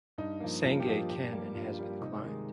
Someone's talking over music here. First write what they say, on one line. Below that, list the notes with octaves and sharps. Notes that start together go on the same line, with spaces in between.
Sangay can and has been climbed.
G2 D#4
F3 A#3
G2 F4
G4
F3 A#3 F4
G2 G4
G3 A#3
G2 F4
G3 A#3
C3 D#4
D#3 G#3